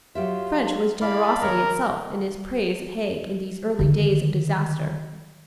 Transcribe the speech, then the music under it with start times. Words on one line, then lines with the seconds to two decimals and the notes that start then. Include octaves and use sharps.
French was generosity itself in his praise of Haig in these early days of disaster.
0.15 F#3 F4 G4 E5
1.01 E4 D5 F5 B5
1.42 D#3 A#4 C#5
3.79 D3 D#3